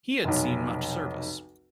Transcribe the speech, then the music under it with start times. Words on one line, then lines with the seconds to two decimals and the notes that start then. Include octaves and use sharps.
He had seen much service.
0.24 F1 B1